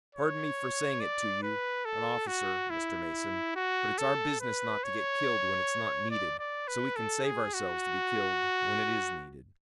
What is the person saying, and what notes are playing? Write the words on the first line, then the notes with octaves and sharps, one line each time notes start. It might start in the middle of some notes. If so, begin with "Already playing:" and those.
"Pardon me for saying it to you, an officer, Mr. Mason, but it's our business not to get killed when it's not needed, so we can save ourselves to be killed when it is needed."
C#5
D5
B4
A4
F#4
E4
F#4
A4
B4
C#5
D5
D5
B4
A4
G#4
F#4